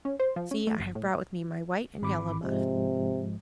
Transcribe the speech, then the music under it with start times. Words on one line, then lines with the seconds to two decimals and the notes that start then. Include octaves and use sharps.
See, I have brought with me my white and yellow muff.
0.05 C#4
0.20 C5
0.36 F3
0.51 C#4
0.67 A3
0.79 G1
0.95 A2
2.02 G#1 B5 D6
2.43 G#2 C3 F3 G#3